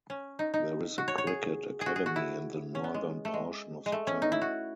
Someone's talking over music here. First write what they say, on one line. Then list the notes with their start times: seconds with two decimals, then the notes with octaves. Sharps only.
There is a cricket academy in the northern portion of the town.
0.10 C#4
0.39 D#4
0.54 D#4
0.98 F#4
1.08 C#5
1.18 C#5
1.27 G#4
1.81 G#4
1.86 F#4
1.96 G#4
2.06 F#4
2.16 E4
2.75 C#4
2.84 B3
2.94 G#3
3.25 A3
3.34 G#3
3.86 G#3
3.92 A3
4.07 C#4
4.22 D#4
4.32 E4
4.41 F#4